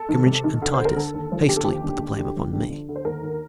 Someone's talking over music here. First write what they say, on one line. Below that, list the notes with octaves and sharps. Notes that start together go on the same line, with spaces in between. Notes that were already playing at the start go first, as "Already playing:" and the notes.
Breckenridge and Titus hastily put the blame upon me.
Already playing: A4
D#3
C3
D#3
D2
C5
D2
A#4
D3 A4
D#2
F3
D3 G4
A4
D#2 G4
D3
D3
D3
F3
D3
D3
D2
C5
D#2 A#4
D#2